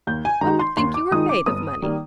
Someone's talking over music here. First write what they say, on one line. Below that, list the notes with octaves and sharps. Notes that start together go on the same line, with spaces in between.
One would think you were made of money.'
D#2 G6
G#5
D#3 G#3 D#4 A#5
C6
D#2 C6
D6
D#3 G#3 D#4 D#6
D6
G1 D#6
D#3 G3 A#3